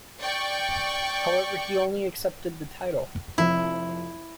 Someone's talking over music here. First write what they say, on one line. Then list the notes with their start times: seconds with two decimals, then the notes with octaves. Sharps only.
However, he only accepted the title.
0.21 D5 G5 C#6
3.38 F1 F2 F3 E4